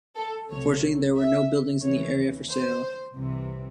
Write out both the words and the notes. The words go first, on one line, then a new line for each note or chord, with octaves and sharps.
Unfortunately there were no buildings in the area for sale.
A4
C2 C3 F#3 A3 C#5
E5
D#2 C#3 E3 C#5
C5
C2 C3 E3